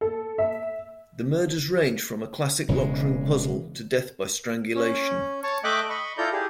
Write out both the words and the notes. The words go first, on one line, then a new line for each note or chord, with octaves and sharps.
The murders ranged from a classic locked-room puzzle to death by strangulation.
A4
E5
E1 C#3 E3 G#3
C#4
C#5 A5 C#6
A3 D#5 E5 G5 D6 F#6
D#5 B5 C#6
E4 F4 A4 D5 A#5 G6
G4 G#4